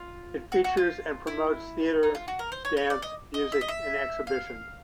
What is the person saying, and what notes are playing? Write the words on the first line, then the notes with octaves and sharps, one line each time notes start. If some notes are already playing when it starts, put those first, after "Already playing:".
It features and promotes theatre, dance, music and exhibitions.
Already playing: F4
F#4
F#4
F4
E4
D#4
F4
F#4
A#4
C5
C#5
C#5
D5
D#5
D#5
E5
D#5
E5
F5